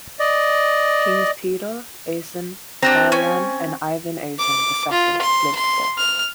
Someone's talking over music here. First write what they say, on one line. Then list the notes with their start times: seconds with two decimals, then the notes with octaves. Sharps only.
Kings Petar, Asen, Kaloyan and Ivan Asen the second lived there.
0.19 D5 D#5
2.83 C4 D4 F#4 A#5
3.12 C#4 G#5
4.39 D6
4.91 F4
5.21 C6
5.55 C6
5.98 F6